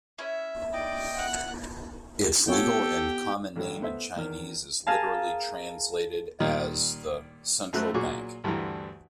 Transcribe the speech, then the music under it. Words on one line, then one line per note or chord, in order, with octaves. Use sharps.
Its legal and common name in Chinese is literally translated as the "Central Bank".
C#4 E4 E5
D5 D#5 G5
F#5 F#6
B3 C4 F4 G4 A4 C#5 G5
A1 G2 D3 F#3
A3 B3 C5 E5
E2 D#3 F6
G#4 A#4 F5 A5
A#2 D#3 G3
F#2 A3 F#4 C5 F#6
A#2 F#3 F#4 G#4 C#6 D6
D2 G2 D3 E3 A#5